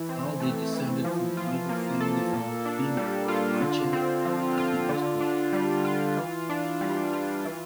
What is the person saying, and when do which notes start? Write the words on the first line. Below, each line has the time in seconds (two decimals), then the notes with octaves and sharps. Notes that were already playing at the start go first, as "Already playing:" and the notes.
Baldi descended from a noble family from Urbino, Marche, where he was born.
Already playing: E3
0.09 C4
0.40 A3
0.73 E3
1.04 F3
1.37 F4
1.69 A#3
2.01 A4
2.33 A#2
2.65 D4
2.97 G3
3.28 F4
3.61 D3
3.93 C4
4.25 F3
4.58 F4
4.89 D3
5.20 D4
5.53 G3
5.85 F4
6.17 E3
6.49 D4
6.81 G3
7.13 F4
7.45 E3